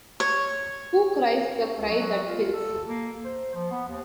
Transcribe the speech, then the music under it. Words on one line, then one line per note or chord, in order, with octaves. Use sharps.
Who cries the cry that kills?
C#5
C#4
C#2
F#3
F4
A4
A#3
C5
F3
B3
D#2